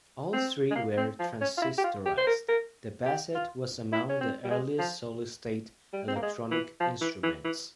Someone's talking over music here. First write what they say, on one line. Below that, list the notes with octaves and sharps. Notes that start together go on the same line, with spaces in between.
All three were transistorized; the Basset was among the earliest solid-state electronic instruments.
C4
G#3
A#3
C4
F3
C#4
F4
E4
G4
F4
G4
C5
A#4
A#4
G4
F4
E4
C#4
C4
G3
G#3
F3
G3
C4
A#3
G#3
E3
F3
E3
E3
E3